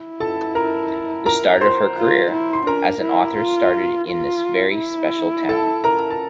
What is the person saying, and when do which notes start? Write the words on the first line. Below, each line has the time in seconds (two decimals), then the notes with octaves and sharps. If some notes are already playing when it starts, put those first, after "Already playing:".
The start of her career as an author started in this very special town.
Already playing: E4
0.20 A4 A5
0.55 A#4 A#5
1.26 A#4 A#5
1.61 C5 C6
1.97 F4
2.32 E4
2.53 C6
2.67 D4 A#4 A#5
3.02 E4
3.38 F4
4.08 F4
4.78 E4
5.49 A4 A5
5.84 A#4 A#5
6.10 A5